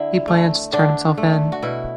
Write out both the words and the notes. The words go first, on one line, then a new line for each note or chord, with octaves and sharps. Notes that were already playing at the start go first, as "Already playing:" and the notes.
He plans to turn himself in.
Already playing: D3 E4
A3
D3 D4
A3
F#4
B2 E4